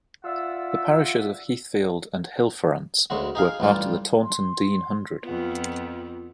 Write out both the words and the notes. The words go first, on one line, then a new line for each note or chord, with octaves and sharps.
The parishes of Heathfield and Hillfarrance were part of the Taunton Deane Hundred.
F4 D5 E5 F#5 E6
D2 C#3 G#3 F#4
D#4 G#4 F5
A1 G2 F4 D5
C6
F2 B3 F4